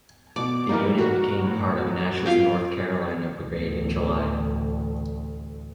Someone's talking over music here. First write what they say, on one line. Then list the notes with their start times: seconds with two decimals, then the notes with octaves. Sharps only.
The unit became part of Nash's North Carolina Brigade in July.
0.36 B2 D5 D6
0.69 E3 G3 A#3 D#4 A#4
0.98 F#4
1.44 A2
1.87 F#3
2.26 F4 F5 G5
3.40 A1 D2